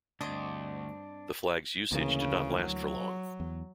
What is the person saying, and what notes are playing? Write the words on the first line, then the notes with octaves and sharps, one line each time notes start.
The flag's usage did not last for long.
D2 G2 C4 D4 D#5 C6 D6
D2 C#3 E3 A#3
F#3
E2